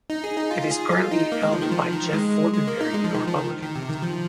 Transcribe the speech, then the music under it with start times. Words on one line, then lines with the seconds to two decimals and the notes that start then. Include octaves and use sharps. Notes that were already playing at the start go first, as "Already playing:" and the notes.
It is currently held by Jeff Fortenberry, a Republican.
0.10 D#4
0.24 G#4
0.37 D#4
0.51 F4
0.71 G#4
0.91 F4
1.11 D#4
1.32 A#3
1.42 G#3
1.52 F3
1.62 D#3
1.72 F3
1.93 D#3
2.13 G#3
2.54 G#3
2.67 A#3
2.81 D#4
2.94 G#3
3.04 F3
3.14 D#3
3.27 F3
3.36 D#3
3.62 D#3
3.76 C3
3.89 D#3
4.02 F3